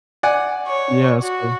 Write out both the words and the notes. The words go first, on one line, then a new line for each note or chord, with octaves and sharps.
Yeah, that's cool.
D5 F#5 G#5
C#5
F#4